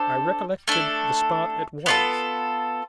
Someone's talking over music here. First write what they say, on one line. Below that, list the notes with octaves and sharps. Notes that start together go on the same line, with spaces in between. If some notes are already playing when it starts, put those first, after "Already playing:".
I recollected the spot at once.
Already playing: D4 A4 C5
A3 D4 A4
B3 F4 A4